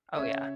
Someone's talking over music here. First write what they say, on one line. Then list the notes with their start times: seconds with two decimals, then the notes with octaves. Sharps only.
Oh, yeah.
0.17 C#3 C#5 E5